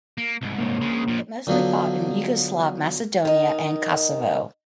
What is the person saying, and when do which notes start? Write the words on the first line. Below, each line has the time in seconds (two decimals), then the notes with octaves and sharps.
It mostly fought in Yugoslav Macedonia and Kosovo.
0.18 A#3
0.42 C2 G#2
0.58 A#3 D4 C#5
0.82 C#3 G#3
1.08 A#2 F3
1.47 D3 F3 F#3 B3
3.25 D#3 D#4